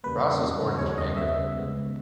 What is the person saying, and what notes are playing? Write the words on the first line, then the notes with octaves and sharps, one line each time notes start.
Ross was born in Jamaica.
E2 C#3 G3 A#3 B4
E2 C#3 G3 A#3
D#2 C#3 G3 B3 C#5
D#5
D#2 C#3 G3 B3 E5
C#2 C#3 G#3 B3